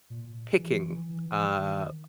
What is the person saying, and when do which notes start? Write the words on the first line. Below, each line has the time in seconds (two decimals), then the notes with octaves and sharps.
picking, uh,
0.10 A#2
0.58 E3
0.76 E3
0.92 E3
1.09 E3
1.26 E3
1.42 E3
1.55 D#3